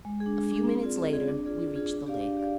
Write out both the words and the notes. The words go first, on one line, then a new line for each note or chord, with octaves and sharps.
A few minutes later we reached the lake.
G#3
G#4
D4
G#3
D4 G#4
C4
F4 G#4 D5
C4
F4 G#4 D5
D4
F4 G#4 D5
D4
F4 G#4 D5
D4
G4 D5 F5
D4
G4 D5 F5